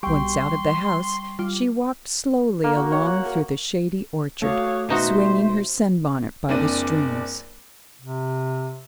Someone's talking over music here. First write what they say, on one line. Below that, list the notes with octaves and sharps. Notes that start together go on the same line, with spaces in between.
Once out of the house, she walked slowly along through the shady orchard, swinging her sunbonnet by the strings.
B1 G3 G4 G5 C6 C#6
G3 F4
A#3
F#4
C#5
F#5
A#4
A3 F#4 C#5 F5 D6 D#6
B2 D#4 F#4 A4 C5 E5 C6
F#1 C4 D4 D5 D#7
C3